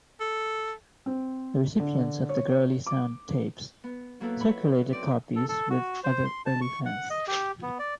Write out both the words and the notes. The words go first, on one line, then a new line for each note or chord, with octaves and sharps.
The recipients of the Girly-Sound tapes circulated copies with other early fans.
A4
C4
D3
C#5
D6
B3
F#3 A#3 B3 E4 A4 B4
F#3 C#5 B5
C4 D5
A4
A4
F#4
C5
C6
A5
C#6
F#5
D#5
G4
B3
D5